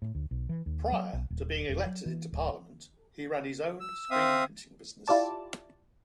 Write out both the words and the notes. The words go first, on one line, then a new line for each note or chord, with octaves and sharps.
Prior to being elected into Parliament, he ran his own screen printing business.
A2
D2
B1
E3
D#2
F#3
B1
D#1
E1
F#3
E3
D1
E6
C4 E5 F5 D#6
E4 F4 G4 D5 A5